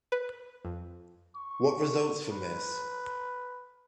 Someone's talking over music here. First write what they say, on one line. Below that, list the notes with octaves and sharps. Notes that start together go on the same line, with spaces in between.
What results from this?
B4
F2
C#6
B4